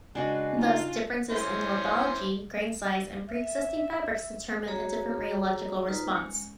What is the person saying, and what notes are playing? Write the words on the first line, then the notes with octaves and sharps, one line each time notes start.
Thus differences in lithology, grain size, and preexisting fabrics determine a different rheological response.
C#3 G#3 D4 F#4 B4 G#5 C7
D#4 F4
E3 C#4 C5
E5
F#4 G#4 C#5 A#5
D#4 F4 B4 C5 A#5
G#3 C#4